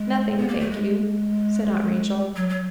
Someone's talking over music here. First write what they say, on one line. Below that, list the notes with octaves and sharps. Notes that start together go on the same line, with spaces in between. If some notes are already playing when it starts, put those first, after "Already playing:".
"Nothing, thank you," said Aunt Rachel.
Already playing: G#3
B3
A#3
A3
G#3
F#3
F#3